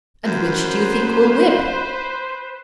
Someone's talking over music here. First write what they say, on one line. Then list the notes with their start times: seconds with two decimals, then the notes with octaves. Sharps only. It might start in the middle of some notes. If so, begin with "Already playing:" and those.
"And which do you think will whip?"
0.25 F#2 B4 C5